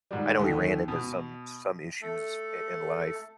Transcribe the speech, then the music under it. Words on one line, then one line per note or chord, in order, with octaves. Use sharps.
I know he ran into some some issues i in life
G#2 D#3 G3
D#2 D3
B2
A3 A4